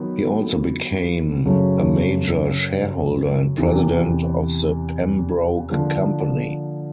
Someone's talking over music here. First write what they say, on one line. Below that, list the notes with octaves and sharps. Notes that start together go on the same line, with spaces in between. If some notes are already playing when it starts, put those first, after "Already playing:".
He also became a major shareholder and president of the Pembroke Company.
Already playing: D#3 F#3 B3
F#2 C#3 F#3 A3
E2 C3 E3
D3 F3 A#3